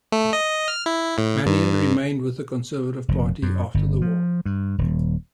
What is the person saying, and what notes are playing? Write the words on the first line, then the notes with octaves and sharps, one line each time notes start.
Manion remained with the Conservative Party after the war.
A3
D#5
F6
E4
A2
G2
F1
F#2
G1
F3
G2
D#1